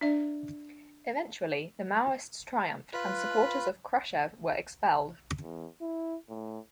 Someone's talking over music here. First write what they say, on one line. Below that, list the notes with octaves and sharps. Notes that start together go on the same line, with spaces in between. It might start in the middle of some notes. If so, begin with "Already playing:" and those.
Eventually, the Maoists triumphed, and supporters of Khrushchev were expelled.
D4 D5 E5
F4 B4 B5 F#6
E2
E4
A2